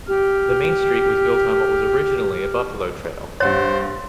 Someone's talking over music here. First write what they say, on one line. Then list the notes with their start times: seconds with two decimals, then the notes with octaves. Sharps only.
The main street was built on what was originally a buffalo trail.
0.07 G4 F6
3.40 G2 C5 C#5 F#5 A6